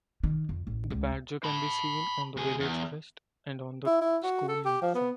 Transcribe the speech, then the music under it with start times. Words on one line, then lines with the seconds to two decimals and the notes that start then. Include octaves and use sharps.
The badger can be seen on the village crest and on the school uniform.
0.23 D#3
0.49 F2
0.67 A1
0.90 C#2
1.44 A5 B5
2.37 D2 G#4
2.60 E2
3.86 E4
4.01 E4
4.23 F#4
4.48 A4
4.65 G4
4.82 F3
4.95 B3